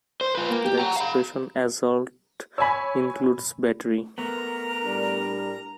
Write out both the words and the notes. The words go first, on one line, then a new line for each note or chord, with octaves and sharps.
The expression assault includes "battery".
C5
F4 B4
A#3
G4
F#5 A#5
F5 B5
C#5 G#5 B5 E6
A3 B3 A#4 A#5
A2 G3 D4